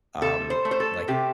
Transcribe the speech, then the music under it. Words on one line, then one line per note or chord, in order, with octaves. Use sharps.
um, like,
C3 A4
C5
A3
C5
A4
C3 G4